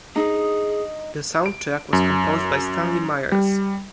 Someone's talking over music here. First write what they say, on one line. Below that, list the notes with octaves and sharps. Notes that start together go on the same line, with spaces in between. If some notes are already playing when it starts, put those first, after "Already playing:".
The soundtrack was composed by Stanley Myers.
D#4 G#4
D7
F#2
G3